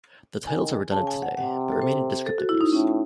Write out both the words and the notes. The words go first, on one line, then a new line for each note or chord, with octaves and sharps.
The titles are redundant today but remain in descriptive use.
D#3 G#5
C#3 A5
G#5
F#5
C3 F#5
A4
C5
A4
F#4
E4
D#4
A2 C#4